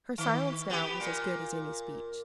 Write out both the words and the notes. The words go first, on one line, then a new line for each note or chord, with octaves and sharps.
Her silence now was as good as any speech.
D#3
B3 G4
A#2